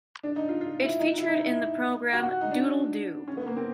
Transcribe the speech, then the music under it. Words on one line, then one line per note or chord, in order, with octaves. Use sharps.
It featured in the program "Doodle Do".
D4
D#4
F4
F4
E4
D#4
E4
D#4
E4
F#4
F#4
D#4
D4
C#4
B3
A#3
C4